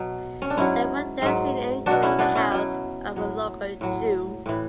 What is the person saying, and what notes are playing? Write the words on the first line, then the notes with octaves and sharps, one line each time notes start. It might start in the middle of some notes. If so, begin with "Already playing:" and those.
They were then seen entering the house of a local Jew.
Already playing: B2 F#3
C#4
D4
G#2 F#3 C#4 E4
G#2 F#3
B2 F#3 D4 F#4
C#4 E4
B3 D4
C#4 E4
B2 F#3
A2 F#3
A2 F#3
A2 E3